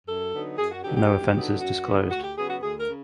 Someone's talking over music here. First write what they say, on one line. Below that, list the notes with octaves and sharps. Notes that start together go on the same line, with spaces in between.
No offences disclosed.
F#2 A4
D3 F#3 B3 D#4
F#2 G#4
F#4
D3 F#3 B3 D#4 G4
G4
F#2
D3 F#3 B3 D#4
F#2 F#4
D3 F#3 B3 D#4
D2 F#4
G4
C#3 F#3 B3 G#4
F#4
D2 G#4
A#4
C#3